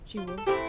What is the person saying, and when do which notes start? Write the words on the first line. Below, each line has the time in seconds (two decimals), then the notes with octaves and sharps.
"She was."
0.17 F4
0.27 G4
0.38 A4
0.47 E3 A3 C4 E4 G4